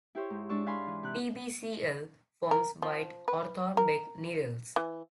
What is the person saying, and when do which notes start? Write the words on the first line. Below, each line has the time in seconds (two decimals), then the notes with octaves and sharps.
PbCl forms white orthorhombic needles.
0.15 E4 G4 C5 C#5
0.30 G#2
0.49 G#3 D4 D5 C#6 E6
0.66 D4 F5 G#5 B5 C6
0.86 E3
1.03 C3 F#6
2.51 A#4
2.82 F3
3.28 B4
3.77 A#4
4.76 E3